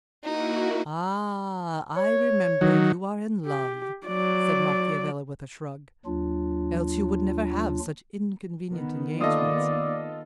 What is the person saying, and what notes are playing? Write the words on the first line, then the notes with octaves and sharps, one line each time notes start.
I remember, you are in love," said Macchiavelli, with a shrug, "else you would never have such inconvenient engagements.
A#3 D#4 E4 F#4
C#5
D#3 F#3
G4
F#3 D5
D#2 F#3 D4 F4
D#3 B3
A#3 F4 A4 D5 D#5 D#6